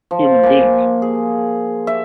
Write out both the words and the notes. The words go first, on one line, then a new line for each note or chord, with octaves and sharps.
human being.
F3
A#3 G#5
G#4
E5